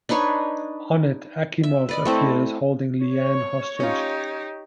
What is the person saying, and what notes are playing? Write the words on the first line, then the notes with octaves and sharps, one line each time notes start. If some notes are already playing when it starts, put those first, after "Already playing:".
On it, Akimov appears, holding Lee-Ann hostage.
D4 D#4 B4 C#5
E5
B4 D5 D#5
A3 C4 E4
C#5
C#4 D#4 F4 G4